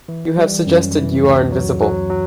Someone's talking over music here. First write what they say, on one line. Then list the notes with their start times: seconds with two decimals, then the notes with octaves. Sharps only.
You have suggested you are invisible.
0.09 E3
0.38 G3
0.66 F#2
0.95 E3
1.24 D2
1.52 F#3
1.81 F#3
2.10 F#3